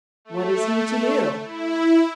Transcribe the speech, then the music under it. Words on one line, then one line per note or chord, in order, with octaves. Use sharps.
What is he to do?
A3
E4